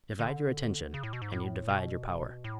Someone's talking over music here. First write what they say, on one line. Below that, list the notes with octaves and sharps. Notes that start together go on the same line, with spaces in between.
Divide your attention and you divide your power.
D3
C#3
A2
B2
G#2
A2
B2
A2